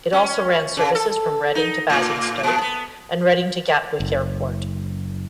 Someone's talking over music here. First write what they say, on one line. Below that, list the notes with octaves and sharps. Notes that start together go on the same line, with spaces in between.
It also ran services from Reading to Basingstoke and Reading to Gatwick Airport.
C#4
C#3
A4
D#4
A2
A#2
B3
F#1